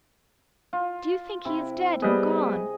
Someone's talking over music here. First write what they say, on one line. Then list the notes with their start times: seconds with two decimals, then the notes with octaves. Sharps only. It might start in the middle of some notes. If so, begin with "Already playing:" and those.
"Do you think he is dead and gone?"
0.73 F4
1.45 C3 E4
2.02 G3 B3 G#4 D#5